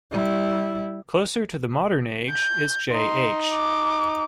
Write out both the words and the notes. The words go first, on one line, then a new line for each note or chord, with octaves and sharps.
Closer to the modern age is J.-H.
G3 E4
G6
D#4 C6
D6